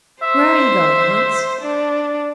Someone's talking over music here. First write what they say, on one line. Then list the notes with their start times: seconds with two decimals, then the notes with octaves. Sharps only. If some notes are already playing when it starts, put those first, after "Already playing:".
'Where are you going, Hans?'
0.22 C5 E5
1.61 D4